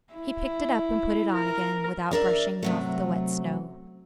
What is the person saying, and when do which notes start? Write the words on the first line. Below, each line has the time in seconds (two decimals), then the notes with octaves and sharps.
He picked it up and put it on again without brushing off the wet snow.
0.13 E4
1.34 A#4
2.11 D4 A#4 D5 E5
2.63 C3 F#3 A3